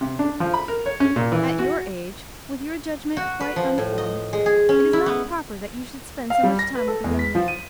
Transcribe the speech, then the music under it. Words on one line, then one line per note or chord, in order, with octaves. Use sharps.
At your age, with your judgment quite unformed, it is not proper that you should spend so much time with a young man.
C3
D4
F3
B5
A#4
C#5
C#4
A#2
E3
F#4
F#4
B4
F3
A2
D#5
G#3
G#4
C#4
E4
B3
F5
G3
A#6
B4
A4
E2
B6
F3
D#7